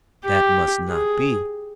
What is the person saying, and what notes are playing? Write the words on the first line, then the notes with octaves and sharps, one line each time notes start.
That must not be!
G4
G#4